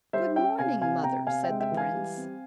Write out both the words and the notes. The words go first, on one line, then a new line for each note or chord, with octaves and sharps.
'Good-morning, mother,' said the prince.
G3 C5 E5
C#4 E5 G5
C3 F5 G#5
C3 F5 G#5
C3 G5 A#5
C3 F5 G#5
E5 G5
G#3
E5 G5
E3
F5 G#5
G3
C4